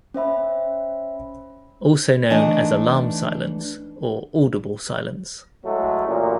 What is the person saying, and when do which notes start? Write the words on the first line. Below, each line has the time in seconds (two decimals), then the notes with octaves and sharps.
Also known as "alarm silence" or "audible silence".
0.14 C#4 C5 E5 B5
2.30 E3 A3 D4 D#4 D#5
5.64 A2 F#3 G#3 A3
6.07 A1 F#2 A#2